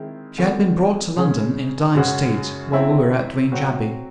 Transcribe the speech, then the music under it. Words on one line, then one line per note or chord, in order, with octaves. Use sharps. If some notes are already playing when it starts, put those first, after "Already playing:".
She had been brought to London in a dying state while we were at Vange Abbey.
Already playing: D#3 G#3 C4 E4
E2 D#3 A3 C4 F#4
C#3 G#3 C#4 G#4
F#2 C#3 G#3 C#4 F#4
F#3 C4 E4
F#3 C4 F#4